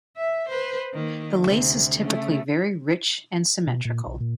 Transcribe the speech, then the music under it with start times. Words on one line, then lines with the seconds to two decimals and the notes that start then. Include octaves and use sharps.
The lace is typically very rich and symmetrical.
0.17 E5
0.49 B4 C5
0.94 D#3 A#3
1.40 D2 C3
2.01 C#3 A3
3.67 B2
3.85 A#2
4.07 B1
4.20 A#2